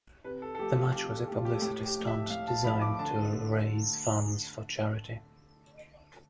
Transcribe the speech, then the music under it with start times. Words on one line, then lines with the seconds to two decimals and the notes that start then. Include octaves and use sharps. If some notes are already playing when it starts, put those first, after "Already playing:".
The match was a publicity stunt designed to raise funds for charity.
0.24 C3 B4
0.42 A4
0.55 A4
0.58 F3 A3 G4
0.76 F4
0.93 C3 G4
1.10 A4
1.27 F3 G4
1.31 A3
1.37 F4
1.45 G4
1.54 A4
1.62 A2 G4
1.85 G4
1.96 F3 A3
2.07 E5
2.30 A2 F5
2.47 A5
2.64 F3 A3 B5
2.82 D6
2.99 D3 A5
3.33 A3